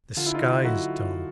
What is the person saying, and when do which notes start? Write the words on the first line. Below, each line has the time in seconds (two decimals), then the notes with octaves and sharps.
The sky is dull.
0.16 D3 F4
0.26 E4
0.34 D#4 F4
0.64 F#3 E4 F#4